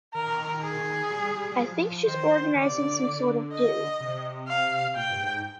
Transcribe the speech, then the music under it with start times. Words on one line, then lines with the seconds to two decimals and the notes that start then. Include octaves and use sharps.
I think she's organising some sort of do.
0.14 D#3 A#4
0.62 G#4
1.10 G3
1.35 G3
1.52 G3
1.58 F3
2.06 D#3 C5
2.55 D#3 D5
2.63 D3
2.71 C3
2.79 D3
3.52 D#5
4.00 C3
4.48 F5
4.96 A#2 G5
5.10 G2
5.21 G#2